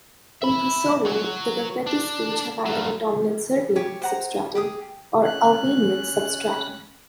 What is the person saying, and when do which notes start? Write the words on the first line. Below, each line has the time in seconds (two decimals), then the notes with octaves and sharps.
In Kosovo, the Gurbeti speech have either a dominant Serbian substratum, or Albanian substratum.
0.42 E5 B5
1.06 F#4 C#5
1.87 D4
2.66 G2 F#3
3.76 G4 C#5 G#5
4.02 C5 F#5 A#5
4.55 G4 G#4 D#6
5.24 C#4 F#6